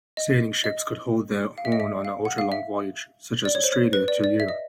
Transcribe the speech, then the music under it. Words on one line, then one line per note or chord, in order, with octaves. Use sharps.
Sailing ships could hold their own on ultra-long voyages such as Australia to Europe.
D#5
D#5
F5
E5
D#5
E5
F5
F#5
F5
E5
D5
C#5
C5
C#5
B4
D5
D5
E5
D#5